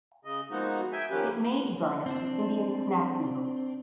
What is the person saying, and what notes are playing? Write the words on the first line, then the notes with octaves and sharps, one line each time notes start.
It may be garnished with Indian snack noodles.
C#3 D#5
F3 G#3 A#3 B3 D#4 F#4
E5 G5 G#5
D#3 F3 A#3 C#4 G4 B4
C4 D4